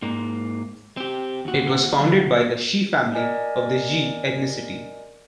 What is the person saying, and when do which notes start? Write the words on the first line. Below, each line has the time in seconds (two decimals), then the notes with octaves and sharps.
It was founded by the Shi family of the Jie ethnicity.
0.02 G#2 A#3
0.97 C4 G4
1.45 D#2 F#4
1.98 D2 F#3
3.15 A#4 D5 D#5 G#5